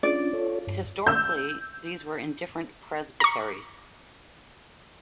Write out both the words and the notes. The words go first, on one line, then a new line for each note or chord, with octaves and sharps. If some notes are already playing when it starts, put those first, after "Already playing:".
Historically these were in different presbyteries.
C#4 D4 F4 D5
F4 A4 C#5
G2
E6 G6
A#5 C#6